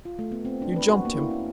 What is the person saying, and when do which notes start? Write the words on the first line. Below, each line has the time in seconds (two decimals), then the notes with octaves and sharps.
You jumped him.
0.05 F4
0.19 A3
0.32 B3
0.45 C4
0.62 D4
0.76 B4
0.90 F#4
1.05 A#3
1.17 E4
1.31 C#4